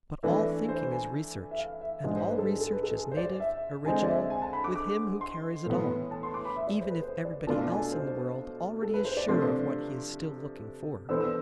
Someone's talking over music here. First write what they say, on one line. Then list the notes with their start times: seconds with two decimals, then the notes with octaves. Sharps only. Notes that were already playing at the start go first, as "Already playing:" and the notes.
But all thinking is research, and all research is native, original, with him who carries it on, even if everybody else in the world already is sure of what he is still looking for.
0.23 E3 A3 D4 E5
0.69 C5
0.91 G#5
1.51 E5
1.59 F5
1.81 E5
2.04 G#2 F3 G#3 D4 D5
2.16 C5
2.27 B4
2.38 A4
2.49 G#4
2.61 A4
2.72 B4
2.83 A4
2.95 G#4
3.12 C5
3.17 D5
3.40 E5
3.85 D3 G#3 C4 G#5
4.03 D5
4.08 E5
4.30 G#5
4.42 A5
4.53 B5
4.64 D6
4.75 D6
5.21 C6
5.66 A2 E3 B3
6.11 A5
6.23 C6
6.34 D6
6.45 B5
6.56 E5
6.67 D5
6.79 C5
6.90 B4
7.02 C5
7.25 D5
7.47 B2 A3 D4 F4 A4 A5
7.58 A5
7.70 G#5
7.92 C5
8.82 A4
8.94 B4
9.05 C5
9.17 D5
9.28 C3 F3 A3 D4 C6
11.09 E3 B3 D4 A4 C5 E6
11.21 E6